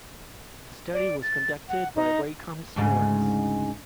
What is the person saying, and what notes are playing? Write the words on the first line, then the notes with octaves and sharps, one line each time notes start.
The study was conducted by Raycom Sports.
D5
A6
F#5
D#4
D2 G#2 C#3